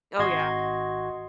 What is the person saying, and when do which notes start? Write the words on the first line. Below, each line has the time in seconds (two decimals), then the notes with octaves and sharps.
Oh, yeah.
0.19 G#1 F#4 D#5 C6 G#6